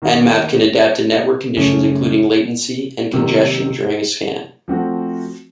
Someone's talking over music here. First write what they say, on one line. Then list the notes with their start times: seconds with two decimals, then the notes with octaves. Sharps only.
Nmap can adapt to network conditions including latency and congestion during a scan.
0.02 D#3 A#3 D#4 F#4
1.57 F#2 C#3 A3 C#4
3.12 C3 D#3 F#3 A#3
4.68 F3 A3 C4 F#4